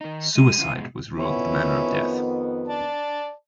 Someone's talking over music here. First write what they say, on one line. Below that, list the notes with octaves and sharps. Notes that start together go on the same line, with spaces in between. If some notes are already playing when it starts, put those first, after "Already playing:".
Suicide was ruled the manner of death.
D#3 D#4
G#3 D#7
C#3 E3 F4
B2 G#3
F2 D#3 B3 C#4 E4
D5 A5